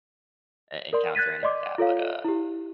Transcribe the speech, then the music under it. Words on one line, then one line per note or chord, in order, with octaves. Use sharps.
en encounter any of that, but, uh,
A#4 D5 C6
F#6 G#6 A6 B6 D#7
D5 D#5 C6 D6
F4 A4 C#5 F5
E4 G4